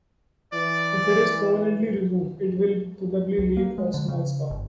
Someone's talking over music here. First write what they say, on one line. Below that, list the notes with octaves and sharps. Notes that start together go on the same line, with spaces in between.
If it is permanently removed it will probably leave a small scar.
E3 D5
C#2
A#3
G#3
D3
C#3
G1